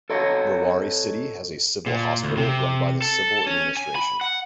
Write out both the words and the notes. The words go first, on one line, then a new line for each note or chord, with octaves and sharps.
Rewari city has a civil hospital run by the civil administration.
A4 C#5 D#5
A#2
D2
C3
A4
C#4
G#5
B5
F#5